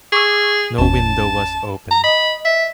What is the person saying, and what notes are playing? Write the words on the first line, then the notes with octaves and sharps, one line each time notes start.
No window was open.
G#4 C#6 D6 E6
G1 E2 C#4 A5
A#5
D#5 B5
E5